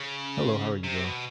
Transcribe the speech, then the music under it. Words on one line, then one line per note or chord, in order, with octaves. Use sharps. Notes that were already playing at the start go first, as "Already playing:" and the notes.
Hello, how are you doing?
Already playing: C#3
C3
B2